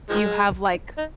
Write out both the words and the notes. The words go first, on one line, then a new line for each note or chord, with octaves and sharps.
Do you have, like,
D#3 F3 G#3
D#4